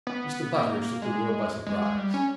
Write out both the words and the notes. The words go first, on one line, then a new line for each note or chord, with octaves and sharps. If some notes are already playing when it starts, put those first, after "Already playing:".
Mr. Butteridge took the world by surprise.
B3
A#3
G#3
G#3
G#3
G3
C#4